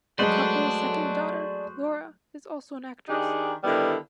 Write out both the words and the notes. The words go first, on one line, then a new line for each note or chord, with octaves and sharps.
The couple's second daughter, Laura, is also an actress.
F#3 G#3 A3 F#4 B4 C5 D5 A5
D#3 D4 D#4 G4 G#4
D3 D#3 G3 B3 E4